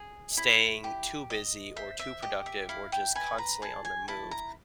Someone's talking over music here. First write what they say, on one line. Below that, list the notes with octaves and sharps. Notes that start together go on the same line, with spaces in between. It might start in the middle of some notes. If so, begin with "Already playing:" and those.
staying too busy, or too productive, or just constantly on the move.
Already playing: G#4
E4
G4
D#5
C5 E5
E5
G4 D#5
E5
E4 F5
G5
B4 G#5
A#5
G#4 A5
G#5
E4 A5
A#5